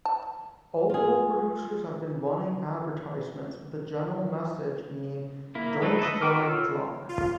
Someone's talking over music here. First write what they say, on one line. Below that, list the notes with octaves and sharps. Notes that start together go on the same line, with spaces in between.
Alcohol producers have been running advertisements with the general message being "don't drive drunk".
A5
F4 G#4
A#3 E4
G#3 A3 D4 D#4 B4
A4 B4 D#5
B3 F#4 G5 D6 F6
F4 A4 C#5 E6 F6
F4